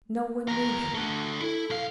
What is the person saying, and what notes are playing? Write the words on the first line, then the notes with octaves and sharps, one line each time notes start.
No one knew him.
E2 A#4
D3 A3
E4 A4
B1 F5